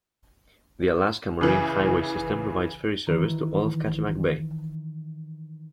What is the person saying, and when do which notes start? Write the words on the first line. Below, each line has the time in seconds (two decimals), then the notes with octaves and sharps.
The Alaska Marine Highway System provides ferry service to all of Kachemak Bay.
1.41 C#3 E3
3.07 D#3 E3